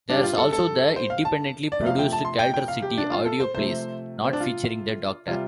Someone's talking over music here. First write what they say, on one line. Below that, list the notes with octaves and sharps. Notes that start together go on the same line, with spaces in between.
There's also the independently produced "Kaldor City" audio plays, not featuring the Doctor.
G2 G3 D4
G4
F4
A4
A4
C5
F5
A5
D5
F2 C3 F3 A3 F5
G5
A5
C6
G5
G5
F5
G4
D4
F4
A4
C5
C3 F3 A3 C5
C4
D4
F4
C3 G3 F4